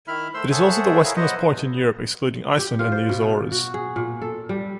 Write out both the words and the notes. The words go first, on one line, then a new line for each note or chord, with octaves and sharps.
It is also the westernmost point in Europe excluding Iceland and the Azores.
D#3 E4 E5 B5 F6
A3 C5 C6 E6
G#4 A4 C5 C#5 E5 F#5
E4 G#4 A#4 C#5 E5 F5
F#3 B3 B4 C5 D#5 F#5
G4
F4
C5
B2
F#4
G#4
A#2
A4
G3